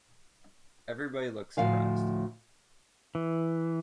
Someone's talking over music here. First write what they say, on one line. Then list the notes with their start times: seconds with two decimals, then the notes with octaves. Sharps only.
Everybody looked surprised.
1.57 D2 A2 C#3 F3 F5 G#5
3.15 E3